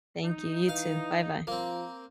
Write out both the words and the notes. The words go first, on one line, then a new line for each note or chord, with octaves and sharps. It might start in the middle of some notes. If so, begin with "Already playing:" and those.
Thank you, you too. Bye-bye.
D#4
E3 F5
F3 A#3 C4